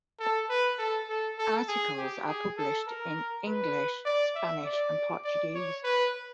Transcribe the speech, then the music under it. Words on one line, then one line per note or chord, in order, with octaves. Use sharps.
Articles are published in English, Spanish, or Portuguese.
A4
B4
A4
A4
A4
G#4
G4
G#4
A4
A#4
B4
D5
E5
D5
D5
C#5
B4